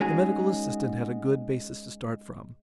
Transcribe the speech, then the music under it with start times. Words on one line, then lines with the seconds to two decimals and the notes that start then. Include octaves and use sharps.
The medical assistant had a good basis to start from.
0.01 G#3 C#4 D#4 F#4 G#4